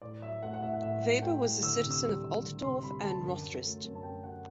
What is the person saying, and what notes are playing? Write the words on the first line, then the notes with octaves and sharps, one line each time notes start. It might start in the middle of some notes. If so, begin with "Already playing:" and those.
Weber was a citizen of Altdorf and Rothrist.
A2 D5
F#3 E5
A3 F#5
F#5
A2 E5
F#5
A2 E5
F#3 F#5
A3 G5
A2
D2 E6
C3
E6
G3
D2
D2
C3 C6
G3 B5
D2 A5
F#2
F#3
A3
F#2
A5
F#2 G5
F#3 F#5